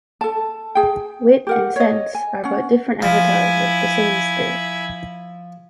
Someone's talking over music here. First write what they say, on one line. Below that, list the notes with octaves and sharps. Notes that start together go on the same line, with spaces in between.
Wit and sense are but different avatars of the same spirit.
A4 A5
G#4 G5
G4 A#4 F#5
C#5 D#5
G#5
C#4 F#5
F3 E4 G#5